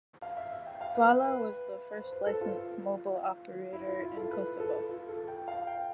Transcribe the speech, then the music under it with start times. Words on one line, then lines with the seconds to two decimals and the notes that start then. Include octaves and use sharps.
Vala was the first licensed mobile operator in Kosovo.
0.22 F5
0.37 E5
0.52 E5
0.67 G5
0.81 F5
0.95 B4
1.24 B4
1.98 C5
2.12 B4
2.26 A4
2.41 F4
3.73 E4
3.88 F4
4.02 F4
4.17 A4
4.31 B4
4.60 A4
4.89 F4
5.09 A4
5.28 G5
5.48 F5
5.67 G5